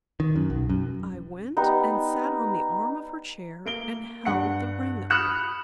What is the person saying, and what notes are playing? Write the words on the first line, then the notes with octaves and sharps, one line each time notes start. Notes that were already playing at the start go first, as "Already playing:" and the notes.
I went and sat on the arm of her chair, and held the ring up.
D#3
F#2
B1
F#2
G3 B3 D#4
A#3 D7 G7
G2 F#5 C#7
B5 D#6 F6 F#6 C#7 E7